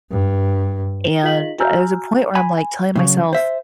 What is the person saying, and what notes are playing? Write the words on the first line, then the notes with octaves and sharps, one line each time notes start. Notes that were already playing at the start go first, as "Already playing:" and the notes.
and there's a point where I'm, like, telling myself,
G2
F4 G#4 D#5 F5 B6 F#7
F#4 G#5 A#5 E6 F6 G6
G#5 B5
A2 C#3 F#3
C5 E5